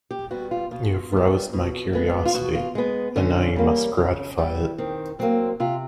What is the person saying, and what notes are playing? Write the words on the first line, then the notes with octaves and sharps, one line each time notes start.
You have roused my curiosity, and now you must gratify it.
G4
G3 B3 F#4
F4
B2 F4
G3 B3
B2
G#3 B3
F4
B2 F#4
F4
G#3 B3
D3 C#4
G3 A#3
C#3
E3 G3
D#3 C4
F#3 A#3 C4
C3 F4